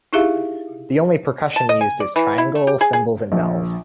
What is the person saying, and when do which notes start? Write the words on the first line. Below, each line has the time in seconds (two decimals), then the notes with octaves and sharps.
The only percussion used is triangle, cymbals, and bells.
0.13 D#4 E4 G4 G#4 E5 F5
1.56 A5
1.69 D#5
1.81 G#5
2.00 D5
2.16 E3
2.38 E4
2.55 A3
2.67 G4
2.81 G#4
2.93 G#4
3.32 A#1